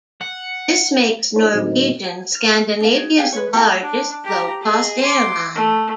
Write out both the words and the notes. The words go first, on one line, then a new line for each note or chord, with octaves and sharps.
This makes Norwegian Scandinavia's largest low-cost airline.
F#5
D4 E4 C5 C#5
A2 D3 F#3 C4 D#4
G#5
F6
D4 F5
F#4 G#4
G4 G#4 F5 G#5
B4 C#5
E4 F4 G4 A4
D4
G4 A#5
G#4 D#5
C6 D6
A3